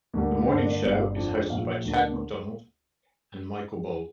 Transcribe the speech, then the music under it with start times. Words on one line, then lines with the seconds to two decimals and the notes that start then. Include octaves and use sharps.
The morning show is hosted by Chad McDonald and Michael Ball.
0.14 D2 D3 G3 A#3
0.48 G2 D3 A#3 D4 C5
0.65 D5
0.82 G1 G2 G3
0.93 F5
1.04 D5
1.16 F2 F3 D4
1.50 A#1 A#2 F3 F5
1.84 D2 D3 A#3 D4